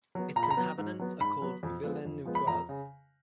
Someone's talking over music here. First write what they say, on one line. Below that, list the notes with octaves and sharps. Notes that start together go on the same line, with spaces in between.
Its inhabitants are called "Villeneuvois".
F#3 B3
A#2 A#5
B5
A#5
F#3 B3
G#2
F#3 B3
G#2 B5
F#3 B3
F2
F3 G#3 B3
F2
F3 G#3 B3
B5
F2 A#5
C#3